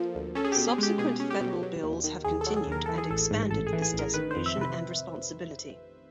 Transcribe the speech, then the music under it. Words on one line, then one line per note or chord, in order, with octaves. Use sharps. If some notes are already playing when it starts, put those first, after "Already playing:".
Subsequent federal bills have continued and expanded this designation and responsibility.
Already playing: F3 A#3 A4
D2
C#4 A4
G#4
B2 G4
G#4
G#3 G4
B2 G#4
C#4
G4
B2
F#3
D#2
D#3
D#2 G#4
A4
F#3
G#4
D#2 A#4
E3 A4
G#4
A1 A4
G#2
A1 A4
G#4
E3
G#4
A1
A#4
D#3 B4
C5
F2
E5
C3 B4